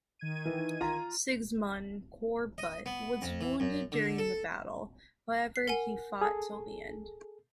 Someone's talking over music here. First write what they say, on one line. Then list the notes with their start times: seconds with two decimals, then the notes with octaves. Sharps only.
Sigismund Korybut was wounded during the battle, however he fought till the end.
0.19 D#3 G#6 D#7
0.45 E3
0.81 F4 A#5
2.58 D#5
2.86 B3
3.22 F2
3.41 E3
3.60 F#2
3.92 D3
4.18 A4
5.56 C7
5.68 A#4 F#5 G#5
6.21 G#4 A4